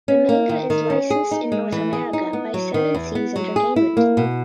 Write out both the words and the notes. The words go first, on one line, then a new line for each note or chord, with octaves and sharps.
The manga is licensed in North America by Seven Seas Entertainment.
C#4
A#3
D#3
D#3
C#4
G#4
D#4
G#3
E3
G#4
D#4
B3
F#3
D#3
E2
B3
F#3
G#4
E4
A#3
B2